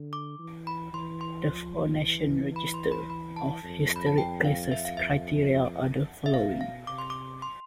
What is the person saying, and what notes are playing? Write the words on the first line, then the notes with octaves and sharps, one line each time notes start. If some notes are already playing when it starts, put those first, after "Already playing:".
The four National Register of Historic Places criteria are the following.
Already playing: D3
D6
E3
B5
E3 C6
C6
F3
E3
B5
C6
B5
B5
A5
F2
B5
A5
G5
F5
F2 E5
F5
E5
E5
B2 F5
F5
C3 D6
C6
D6
C6